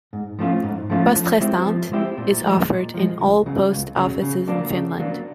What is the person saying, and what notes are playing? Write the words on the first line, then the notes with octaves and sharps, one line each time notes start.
"Poste restante" is offered in all post offices in Finland.
G#2
F3 A3 C#4 F4
G#2
F3 A3 C#4 F4
F3
G#3 C4 E4 G4
F3
G#3 C4 E4 G4
A#2
F3 G#3
A#2
F3 G#3
C#2
C#3 F#3
C#2
C#3 F#3
C#3
F#3 A#3 D4
C#3
F#3 A#3 D4